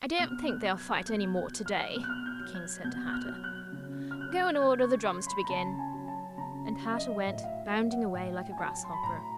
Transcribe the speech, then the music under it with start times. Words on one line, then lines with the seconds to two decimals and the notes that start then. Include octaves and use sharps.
'I don't think they'll fight any more to-day,' the King said to Hatta: 'go and order the drums to begin.' And Hatta went bounding away like a grasshopper.
0.19 B2 F6
0.48 F#6
0.63 F#3
0.78 G#6
1.00 G#6
1.07 B2 G6
1.37 F#6
1.52 F#3
1.66 F6
1.95 B2 F6
2.04 F#6
2.10 F6
2.26 G6
2.39 F#3
2.55 G#6
2.84 B2 G6
3.08 F#6
3.13 F6
3.28 F#3
3.44 F#6
3.72 C#3
4.11 F6
4.17 F#3 F#6
4.31 G6
4.55 G#6
4.61 C#3 G6
4.83 C#6
5.05 F#3 C6
5.27 B5
5.45 A#5
5.49 C#3 A5
5.79 G#5
5.94 F#3
6.08 A5
6.37 C#3 A#5
6.82 F#3
6.92 E5
6.97 D#5
7.26 A2 E5
7.44 F5
7.48 E5
7.70 F#3 E5
7.92 F#5
8.14 A2 G5
8.52 G#5
8.58 F#3 A5
8.84 C6
8.93 B5
9.03 A2 A#5